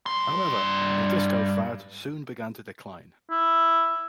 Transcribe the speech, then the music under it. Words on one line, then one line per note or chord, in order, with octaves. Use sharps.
However, the disco fad soon began to decline.
G2 C6
E4